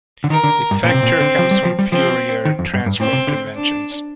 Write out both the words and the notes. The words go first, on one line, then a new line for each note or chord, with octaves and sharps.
The factor comes from Fourier transform conventions.
D3
D#3 A#4
D3
G2
A#2 C4
C3
A#2
D3
F3
G3
F3
G3
F3 C4
D#3
F2
G2
G2
A2 C4
C3
D3
D4